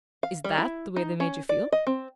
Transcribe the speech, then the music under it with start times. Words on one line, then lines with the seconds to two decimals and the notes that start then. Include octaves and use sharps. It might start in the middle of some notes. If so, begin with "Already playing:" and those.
"Is THAT the way they made you feel?"
0.23 F5
0.44 G3
0.58 E4
0.96 D#4
1.20 C#4
1.49 D5
1.72 D#5
1.87 C4